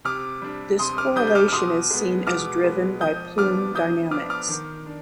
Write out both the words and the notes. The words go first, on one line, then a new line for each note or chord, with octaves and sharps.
This correlation is seen as driven by plume dynamics.
C3 D6 F6
G3 D4
C3 C6 D#6
D6 F6
G3 D4 D#6 G6
G6
D6 F6
F6
B2 C6 D#6
G#3 B3
B2 D6 F6
G#3 B3
F3 D#6 G6
B3 D4 D6 F6
F3 D#6 G6
B3 D4 D6 F6
D6 F6
D#3
D4